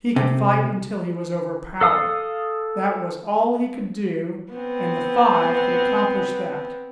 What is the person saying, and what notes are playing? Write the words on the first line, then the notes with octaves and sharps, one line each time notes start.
He could fight until he was overpowered, that was all he could do, and the five could accomplish that.
C3
A4 F5 D#6
B3 C4